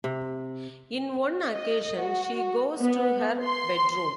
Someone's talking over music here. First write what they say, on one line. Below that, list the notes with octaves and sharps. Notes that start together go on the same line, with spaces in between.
In one occasion, she goes to her bedroom.
C3
D#5
F#4
B3
C6